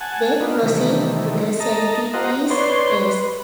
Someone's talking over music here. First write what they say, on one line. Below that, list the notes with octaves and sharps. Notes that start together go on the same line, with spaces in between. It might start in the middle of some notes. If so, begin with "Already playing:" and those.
They proceed to the celebrity's place.
F#5 G#5 A5
A#3 B3 D4 D#4 F4
C3 D#3 E3 G3 A3
D#5 A5 A#5
F4 G4 C5 D#5 F#5 A#5
B4 C#5 D5 C6
B4